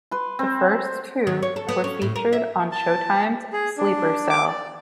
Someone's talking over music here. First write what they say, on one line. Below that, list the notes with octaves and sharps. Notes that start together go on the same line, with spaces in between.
The first two were featured on Showtime's "Sleeper Cell".
B4 C6
C4
D#3
C#5
A4
B3
C#4
A2
A#4
E5
A5
G#4
D4
D6
D5